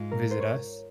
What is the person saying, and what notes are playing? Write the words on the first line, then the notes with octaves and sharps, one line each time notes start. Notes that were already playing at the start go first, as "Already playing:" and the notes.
visit us.
Already playing: G#2 F4
A#4
C5
C#5